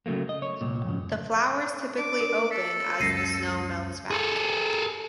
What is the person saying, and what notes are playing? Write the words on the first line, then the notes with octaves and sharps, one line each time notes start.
The flowers typically open as the snow melts back.
C#3 F#3 A3 A#3
D#5
C#5
C2 A#2
F2 G#2 C#3
D4 D6
A#4
A4 B6
C#2 F#2 A#6 C7 D#7
G#4 A4